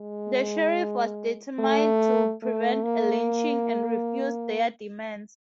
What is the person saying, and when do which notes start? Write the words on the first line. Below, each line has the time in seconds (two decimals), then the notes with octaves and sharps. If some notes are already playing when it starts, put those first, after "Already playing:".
The sheriff was determined to prevent a lynching and refused their demands.
Already playing: G#3
1.59 A3
2.43 A3
2.84 A#3